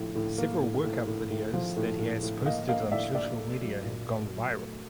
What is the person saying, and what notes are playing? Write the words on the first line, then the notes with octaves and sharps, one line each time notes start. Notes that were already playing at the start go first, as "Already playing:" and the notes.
Several workout videos that he has posted on social media have gone viral.
Already playing: A2 F3
A2
A#3
A2
A2
A2
A2
F3
A2
A2
A2
A#3 D#5 F5
A#3 D#5 F5
A2 D5 E5
A#3 D5 E5
A3
F#3
A#2
A#2
F#3
A3